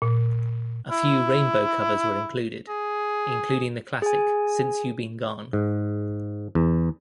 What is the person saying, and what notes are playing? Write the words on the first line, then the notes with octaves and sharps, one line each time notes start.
A few Rainbow covers were included, including the classic "Since You Been Gone".
A#2
E4
G#4
G#4 G#5
G#2
E2